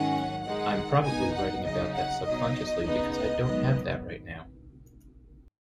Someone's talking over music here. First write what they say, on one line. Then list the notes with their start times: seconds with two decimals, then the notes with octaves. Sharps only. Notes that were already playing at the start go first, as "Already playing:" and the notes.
I'm probably writing about that subconsciously because I don't have that right now.
Already playing: G#2 D#3 F#3 C#4 F#5
0.43 D#3 G#3 D#4 F#5
1.03 B2 B3 D#4 G#5
1.33 F#5
1.64 C#3 F#3 D#4 D#5
1.95 F#5
2.24 B2 F#3 D#4 D#5
2.85 C#3 B3 D#4
3.15 D#5
3.45 G#2 D#3 F#3 B3 D#5